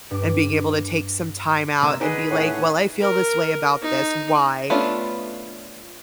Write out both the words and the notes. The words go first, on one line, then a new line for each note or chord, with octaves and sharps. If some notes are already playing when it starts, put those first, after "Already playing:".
and being able to take some time out and be like, "Well, I feel this way about this, why?
G2 D6
C3 A#3 E6
D#4 G#4 B4 D5 D#5 F#5 G#5
A2 C#4 C#5 F#5
A#4
D#4
A3 B3 C#4 D4 F4